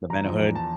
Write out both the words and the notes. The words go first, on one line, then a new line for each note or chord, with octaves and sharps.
The Vent-A-Hood?
E2 A#5
F3
E2
A5